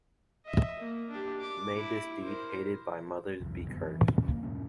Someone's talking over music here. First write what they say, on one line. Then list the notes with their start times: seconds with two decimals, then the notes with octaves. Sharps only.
May this deed -hated by mothers- be cursed!
0.46 D#5 E5
0.79 A#3
1.10 D4 G4
1.40 D6
1.76 E4
2.23 A#4 C5
3.40 G1 C2 F2
3.67 F#2 D3 B3
3.86 E3
4.12 F2 C#3 G3 C#4
4.30 A#3
4.43 E2 G#2 B2 C#4